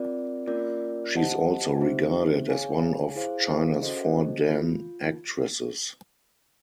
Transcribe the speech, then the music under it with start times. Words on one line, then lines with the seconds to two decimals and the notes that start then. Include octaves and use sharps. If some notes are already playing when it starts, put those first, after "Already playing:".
She is also regarded as one of China's Four Dan Actresses.
Already playing: C4 F4 A#4 D5
0.48 A#3 C#4 F4 A#4 D5
1.15 G4 C5 D#5 F#5 A5
1.81 C4 D#4 G4 C5 E5
2.49 G#4 C#5 F5 G#5
3.15 E4 G#4 C5 F5
3.82 C#4 F#4 A4 C5 D#5
4.49 F4